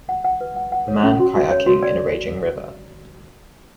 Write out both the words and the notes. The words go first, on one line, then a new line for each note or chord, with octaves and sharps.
Man kayaking in a raging river.
F#5
F#5
B4
F#5
F#5
C#5
C#4
F#4
F#4
C#5
F#4
D5